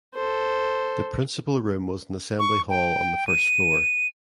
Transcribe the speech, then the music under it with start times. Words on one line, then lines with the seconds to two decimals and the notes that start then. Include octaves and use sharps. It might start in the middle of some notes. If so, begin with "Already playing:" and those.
The principal room was an assembly hall on the first floor.
0.14 A4 C5
2.39 C#6
2.69 G5
3.27 D#7